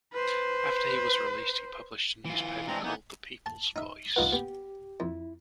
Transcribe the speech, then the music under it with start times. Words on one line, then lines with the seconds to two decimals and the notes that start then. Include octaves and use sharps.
After he was released he published a newspaper called "The People's Voice".
0.13 B4 C5
2.25 E3 F4
2.68 E3 G#3 C4 D4 A#5
2.84 E3 A#3 B3 D#4
3.46 A5
3.76 D#4 E5
4.16 C2 G2 D#4 F4 B4 F#5
4.32 B3 G4
5.00 F2 E4